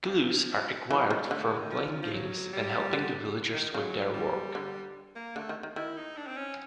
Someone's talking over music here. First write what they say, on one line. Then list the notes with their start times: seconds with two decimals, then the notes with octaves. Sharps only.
Clues are acquired from playing games and helping the villagers with their work.
0.10 F3
0.91 E3 F#3
1.11 D#3 G3
1.31 D3 A3
1.44 G#3
1.58 D#3
1.72 F3
2.02 F3
2.12 F#3
2.53 G3
2.93 D3
3.54 D#3
3.73 C#3 F#3
4.14 G3
4.55 D3
5.16 A#3
5.36 D3 A3
5.49 D#3
5.63 D#3
5.76 D#3 E4
5.97 D#4
6.17 D4
6.27 C4
6.37 C#4